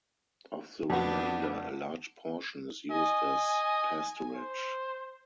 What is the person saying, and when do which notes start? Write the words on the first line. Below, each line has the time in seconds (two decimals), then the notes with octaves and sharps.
Of the remainder, a large portion is used as pasturage.
0.90 F2 B3 D4 F#4
2.91 D#5 G#5
4.35 C5